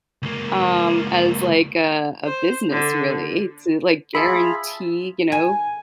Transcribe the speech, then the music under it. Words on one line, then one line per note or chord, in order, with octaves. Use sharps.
Um, as, like, a, a business really to, like, guarantee, you know,
C#2 A#3
C5
D3
F4 G#4 E5 A5 B5
G#5